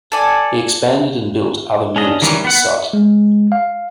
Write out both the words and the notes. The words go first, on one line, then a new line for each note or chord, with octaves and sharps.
He expanded and built other mills at the site.
A4 D5 G#5
C#4 D4 D#5
D#3 E3 G3 C#4
B3 F#5
G#3
F5